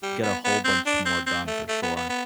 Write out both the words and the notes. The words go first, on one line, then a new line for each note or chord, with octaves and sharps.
get a whole bunch more done for sure,
G3
B3
B3
C4
D4
C4
C4
A3
A3
B3
B3
B3